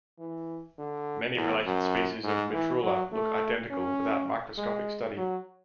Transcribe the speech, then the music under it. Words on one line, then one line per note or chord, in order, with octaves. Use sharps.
Many related species of "Mitrula" look identical without microscopic study.
E3
D3
E2
F#2
G#2
E3
F#3
A3
C#4
G#3
F#3